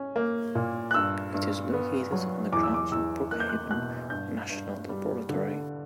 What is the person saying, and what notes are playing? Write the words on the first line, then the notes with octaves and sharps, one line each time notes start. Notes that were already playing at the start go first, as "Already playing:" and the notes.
It is located on the grounds of Brookhaven National Laboratory.
Already playing: C#4
A#3
A#2
F#6
G2 E6
G2
B3
F#3
E2 D6
E6
D6
E2 E6
A#3 F#6
G6
F#6
B2 F#6
G2 G6
G2
G3
D3